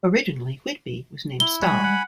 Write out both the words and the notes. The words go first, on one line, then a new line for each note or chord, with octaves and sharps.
Originally, Whitby was named Stahl.
E4 G7
G3 G#3 F#4 G#5 B5
F#5